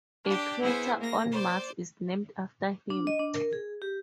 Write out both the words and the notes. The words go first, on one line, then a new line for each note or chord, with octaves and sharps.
A crater on Mars is named after him.
D4 G4
B3 E4 G#4 C5
A#3 A#6
C5 D5
D4
D#5
D4
A#4
G#4
G4